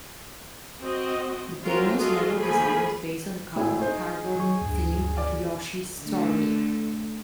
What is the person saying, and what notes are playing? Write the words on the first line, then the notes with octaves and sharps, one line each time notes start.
The demo's level design was based on the colorful cardboard theme of "Yoshi's Story".
C4 F#4 D#5
C4 C#4 F4 F#4 A#4
F4 F#4 G#4 A4 D#5
F3 A3 A#3 G#4 G#5 B5
G#1 A2 E4 G#4
D#4 C5
F#3 C#6
D2 G2
D5 D6
D3 A3